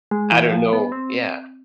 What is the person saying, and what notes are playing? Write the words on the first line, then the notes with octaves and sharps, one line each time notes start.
I don't know yeah.
G#3
E3
F3
B3
C4